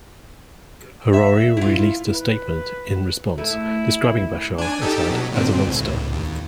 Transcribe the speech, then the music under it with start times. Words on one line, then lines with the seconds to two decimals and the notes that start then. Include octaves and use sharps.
Hariri released a statement in response, describing Bashar Assad as a "monster".
1.13 E5
1.57 E4 F4
2.13 B4
3.38 A3 E4
4.58 D4 G#5
4.82 D#4 G4 A4
5.10 B2 F#3
5.32 A#2 D3 C4
5.67 C#2 A2
6.12 D#2